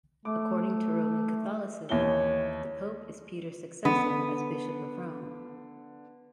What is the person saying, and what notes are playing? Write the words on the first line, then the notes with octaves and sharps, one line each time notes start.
According to Roman Catholicism, the pope is Peter's successor as Bishop of Rome.
A3 D6
D#2 E3 C#5 G7
D3 B3